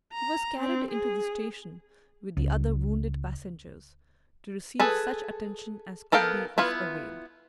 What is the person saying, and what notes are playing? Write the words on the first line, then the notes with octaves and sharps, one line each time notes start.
He was carried into the station with the other wounded passengers, to receive such attention as could be of avail.
A#5
C4
G#4
C#2
G#4 A4 B4
B3 A4 A#4 F5 G5
B3 E4 F4 B4